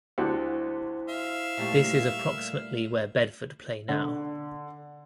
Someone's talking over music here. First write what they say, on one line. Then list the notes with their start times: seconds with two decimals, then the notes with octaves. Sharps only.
This is approximately where Bedford play now.
0.18 D2 E4 F#4 G4 C5
1.09 E5 F5
1.57 A#2 G3 A3
3.89 D3